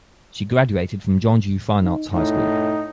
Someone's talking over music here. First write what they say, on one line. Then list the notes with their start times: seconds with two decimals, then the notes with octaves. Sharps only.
She graduated from Jeonju Fine Arts High School.
1.83 D#4
2.12 A2 D#4